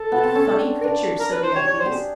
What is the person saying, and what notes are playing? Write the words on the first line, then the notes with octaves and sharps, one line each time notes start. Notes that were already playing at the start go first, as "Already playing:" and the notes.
"What funny creatures!" said the young Bees.
Already playing: A4
B3
C4
C#4
D4
D4
A#4
B4
C5
G4 C#5
C#5
C5
G4
G#4